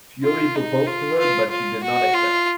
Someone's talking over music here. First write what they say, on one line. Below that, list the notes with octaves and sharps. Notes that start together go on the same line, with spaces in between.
Fury proposed to her, but she did not accept.
F4
D#4
F4
F4
F4
F#4
F4